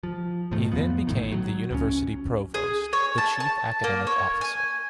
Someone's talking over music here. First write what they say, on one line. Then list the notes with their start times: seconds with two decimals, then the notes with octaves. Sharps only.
He then became the university provost, the chief academic officer.
0.03 F3
0.51 G#2 D#3 A3
0.72 F2 F3 B3
1.07 A1 A2 D#3
1.32 F#3
1.71 C#2 G3 C#4
2.54 G#4
2.93 C#5
3.18 A5
3.40 A5
3.84 A#3
4.07 C#5
4.41 G#5